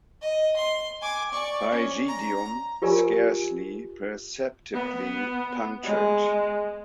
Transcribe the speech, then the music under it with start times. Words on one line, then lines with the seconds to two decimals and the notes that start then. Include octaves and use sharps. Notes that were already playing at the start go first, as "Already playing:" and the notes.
Pygidium scarcely perceptibly punctured.
0.22 D#5
0.57 C6
1.01 G#5 D6
1.32 D5 C#6
1.72 C#4
2.08 A#5
2.82 F4 G4 A#4 D5 G#5
4.74 B3
5.84 G#3